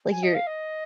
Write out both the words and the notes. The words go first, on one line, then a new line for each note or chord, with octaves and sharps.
Like, you're
G#5
D#5
F5
D#5